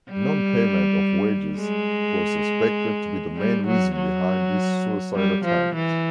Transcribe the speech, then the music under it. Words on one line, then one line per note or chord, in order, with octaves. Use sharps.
Non-payment of wages was suspected to be the main reason behind this suicide attempt.
G3
G#3
G3
F#3
F#3
G3
F3
E3